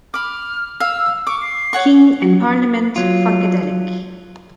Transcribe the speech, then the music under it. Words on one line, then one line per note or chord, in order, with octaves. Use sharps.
King, and Parliament Funkadelic.
B5 D6 F6
F5 E6
C#6 D6
C7
C#5 F#5 C#6
F#3 F4